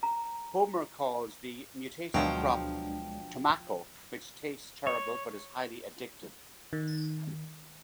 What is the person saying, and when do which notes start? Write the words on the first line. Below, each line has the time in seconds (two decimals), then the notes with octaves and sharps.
Homer calls the mutated crop "Tomacco," which tastes terrible, but is highly addictive.
0.03 A#5
2.14 D2 B2 F3 F#3 G#3 D4 F5 G5
4.87 C#5
6.73 D#3